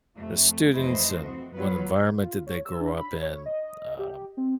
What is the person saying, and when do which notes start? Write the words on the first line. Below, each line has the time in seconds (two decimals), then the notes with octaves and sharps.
the students, and what environment did they grow up in. Um,
0.16 F2 C3 A3
0.72 F2 E3 A3 E4 C5 D#5
1.23 C4 F#4
1.55 F#3 B3 F4 B4
2.22 F4
2.47 C#5
2.65 E6
2.81 D4
2.98 B5
3.22 C#5
3.46 D#5
3.99 G4
4.37 C4